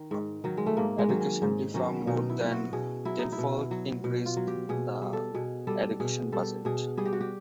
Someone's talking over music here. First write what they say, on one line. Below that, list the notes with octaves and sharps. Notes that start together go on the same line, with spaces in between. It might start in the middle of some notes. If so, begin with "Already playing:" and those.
Education reform more than tenfold increased the education budget.
Already playing: D#3
G#2
D#3 F#3
G#3
A3
G#2 A#3
G#3
D#3 F#3
C#4
G#2
D#3 F#3 C#4
B2 D#4
E4
F#3 F4
F#4
B2 G#4
F#3 E4
D#4
E4
B2
F#3
B2
F4
F#3
G4
B2 G#4
G3
A4
B2 G#4
G3 A4
B2 G#4
G3 A4
B2 G#4
G3 G#4
G4
F#4
G4